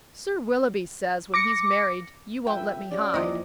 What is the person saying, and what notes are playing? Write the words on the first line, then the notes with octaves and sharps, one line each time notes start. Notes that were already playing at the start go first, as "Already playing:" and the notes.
"Sir Willoughby says, when he's married, you won't let me hide."
D6 A#6 C#7
F2 B4 E5 G5
C#4 F#4 D5
D#2 C3 E3 F3 C4 D#5